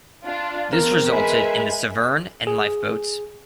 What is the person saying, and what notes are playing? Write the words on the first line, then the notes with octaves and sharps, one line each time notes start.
This resulted in the "Severn" and lifeboats.
D4 F4
E2 C4 A#4
G#3 B4 E5 G#5
G#4